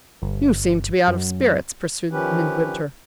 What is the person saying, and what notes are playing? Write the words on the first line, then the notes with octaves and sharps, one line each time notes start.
"You seem to be out of spirits?" pursued Midwinter.
G1
F#2
D#3 F3 C#4 G4 B4